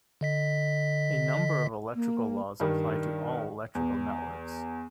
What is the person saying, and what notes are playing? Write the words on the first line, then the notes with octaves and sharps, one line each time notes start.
A number of electrical laws apply to all electrical networks.
D3 D#5 B6
A#3
G2 D#3
E2